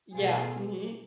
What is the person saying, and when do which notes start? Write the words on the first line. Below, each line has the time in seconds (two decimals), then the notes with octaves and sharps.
Yeah. Mhm.
0.14 B2 A3 F4 G#4